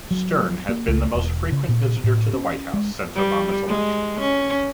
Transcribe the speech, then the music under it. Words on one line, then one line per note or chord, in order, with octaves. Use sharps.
Stern has been the most frequent visitor to the White House since Obama's election.
F#3
A#3
C#2
E1
C#3
A#2
A2
C#4
G#3
G3
G#3
C#4